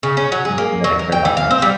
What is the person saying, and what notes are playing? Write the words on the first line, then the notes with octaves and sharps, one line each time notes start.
can focus on what I care about most.
C#3
C#4
F#3
G#4
A#3
F#3
A#4
G5
E3
F5
C4
G3